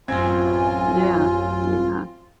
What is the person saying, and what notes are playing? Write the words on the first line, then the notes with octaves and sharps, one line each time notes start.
Yeah, yeah.
A1 F#2 C4 F4 G#5 G#6